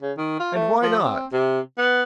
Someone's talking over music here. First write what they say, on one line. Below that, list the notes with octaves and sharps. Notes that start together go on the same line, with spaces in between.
"And why not?"
C#3
D#3
F4
A3
F3
C4
C3
B3